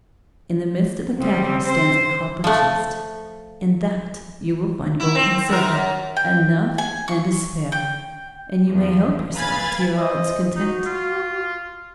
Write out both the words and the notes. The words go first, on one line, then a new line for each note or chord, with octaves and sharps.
In the midst of the cavern stands a copper chest, in that you will find gold and silver, enough and to spare, and you may help yourself to your heart's content.
C#3 G3 C4
C5
F3 A3
E4
C4
F#2 A#4
G5
G#5
C#6
G5
E2 F3
B4 F5 G#5 B5 G#6 A6
C5 D#5
D#4 F#4
F4